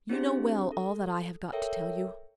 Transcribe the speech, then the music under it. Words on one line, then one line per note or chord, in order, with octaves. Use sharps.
You know well all that I have got to tell you.
C4 D4 E4 G4 G#4 C5
A4
A4 A#4 C#5 E5 G5